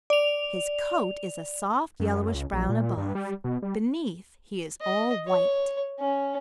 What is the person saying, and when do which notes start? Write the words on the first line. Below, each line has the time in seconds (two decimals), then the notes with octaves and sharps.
His coat is a soft yellowish-brown above; beneath he is all white.
0.10 D5 F7
2.00 F#2
2.34 C#2
2.53 A#1
2.69 A#2
2.97 G2
3.15 G3
3.44 B2
3.62 G3
4.81 D#5
5.27 C#5
6.00 C#4